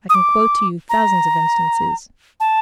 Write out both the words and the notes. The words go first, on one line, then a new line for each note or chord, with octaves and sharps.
I can quote to you thousands of instances....
D#6
D6
A#5
A5